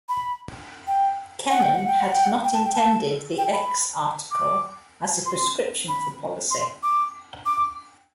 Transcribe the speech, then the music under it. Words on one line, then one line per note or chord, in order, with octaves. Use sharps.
Kennan had not intended the "X" article as a prescription for policy.
B5
G5
F#5
G5
F#5
G5
F#5
G5
F#5
G5
A5
G5
A5
G5
B5
D6
C6
B5
C6
D6
D6